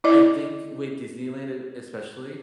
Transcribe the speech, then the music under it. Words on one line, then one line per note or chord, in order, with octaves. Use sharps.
I think with Disneyland, it especially,
E4 D5 D#5